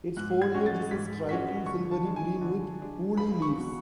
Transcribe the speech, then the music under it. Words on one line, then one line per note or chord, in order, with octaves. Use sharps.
Its foliage is a striking silvery green, with woolly leaves.
G#2 F#6
G#6
G#3 C#4 F#4
A6
G#2 B6
G#3 C#4 F#4 B6
D3 C#6
A5
G#3 D4
G#5
D3
G#3 D4
C#2 B5
C#6
B2 F#3